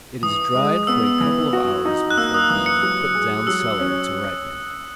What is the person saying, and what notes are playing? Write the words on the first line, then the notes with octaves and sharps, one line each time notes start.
It is dried for a couple of hours before being put down cellar to ripen.
E3 D#6
G#3
B3 E6
E3
F#4
D#4
F#6
A#3 E6
D#6
E3 D#6
C#7
F#3
G#4
F#3 E6
C#4